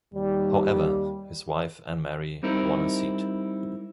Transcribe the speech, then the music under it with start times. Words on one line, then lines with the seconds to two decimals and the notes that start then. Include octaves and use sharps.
However, his wife Anne-Marie won a seat.
0.15 D#2 G3
2.43 G3 C4 D#4 E4 A#4